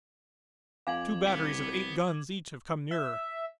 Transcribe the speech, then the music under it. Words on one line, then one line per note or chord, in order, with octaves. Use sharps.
Two batteries of eight guns each have come nearer.
F2 F5 F#5 G#5 D6 G#6 F#7
C2 B3
E5